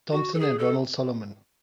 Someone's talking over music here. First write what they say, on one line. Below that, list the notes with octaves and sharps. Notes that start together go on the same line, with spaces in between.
Thompson and Ronald Solomon.
F#4
A4
G#4
A4